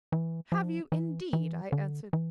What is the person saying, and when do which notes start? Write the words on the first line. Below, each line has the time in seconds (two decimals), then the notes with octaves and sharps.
'Have you, indeed?' I answered.
0.12 E3
0.52 F3
0.92 E3
1.33 E3
1.72 D3
2.13 E3